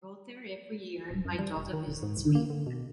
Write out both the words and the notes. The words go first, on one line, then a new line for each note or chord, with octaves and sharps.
I go there every year and my daughter visits me.
D1
F#2
G3
F1
D#3
D#1
G#2
C2
A#3
D3
B2